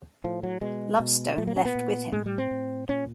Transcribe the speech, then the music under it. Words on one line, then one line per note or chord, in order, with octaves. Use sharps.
Lovestone left with him.
A2 F3
F#3
B2 G#3
B2
A#2 A3
A#3
C#4
B3
A#2
A2 G#3
G3
C4
A2
A#2 C#4